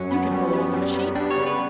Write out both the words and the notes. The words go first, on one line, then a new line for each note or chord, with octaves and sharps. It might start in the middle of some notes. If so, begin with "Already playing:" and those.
You can follow on the machine?'
Already playing: F#2 F#3 C#4
B3
G3
B3
G3
B3
G3 D4
C#5
C#3
B4